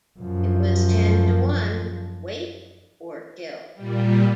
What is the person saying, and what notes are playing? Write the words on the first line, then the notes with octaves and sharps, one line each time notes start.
It was ten to one — wake or kill.
F#2 F3
A#2 G3